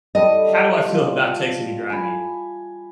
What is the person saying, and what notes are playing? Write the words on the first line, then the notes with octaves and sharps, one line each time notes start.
how do I feel about texting and driving?
G3 A4 D#5
E5
F4
G#5 B5